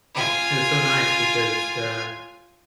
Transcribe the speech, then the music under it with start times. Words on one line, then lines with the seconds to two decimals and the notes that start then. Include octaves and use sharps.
you know, it was so nice because, uh,
0.15 F4 G#5